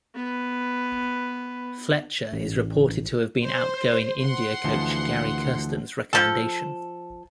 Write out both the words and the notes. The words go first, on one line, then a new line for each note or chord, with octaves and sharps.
Fletcher is reported to have been outgoing India coach Gary Kirsten's recommendation.
B3 B4
A1
C5
F#5 C6
D2 E3 F3
F3 A4